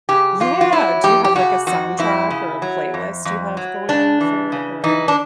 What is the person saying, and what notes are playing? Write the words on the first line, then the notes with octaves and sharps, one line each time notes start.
Yeah. Do you have, like, a soundtrack or a playlist you have going for it or
C#3 G4
F2 F4
F4
F#3 E4
F2 G4
G4
C#3 F#4
F2 F#4
F2 E4
C#3
F#3
F2
F2
F#3
C#3 D4
E3
C#3
E3 D#4
D4